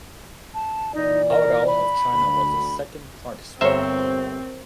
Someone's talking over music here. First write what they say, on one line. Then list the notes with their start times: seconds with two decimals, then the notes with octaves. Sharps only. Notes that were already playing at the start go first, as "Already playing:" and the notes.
Hao Rao of China was the second participant.
0.54 A5
0.95 A#2 E3 D#4 D5
1.29 A#4
1.67 B5
2.12 D2 D3
3.61 G1 C4 A#4 C5 C#5 E5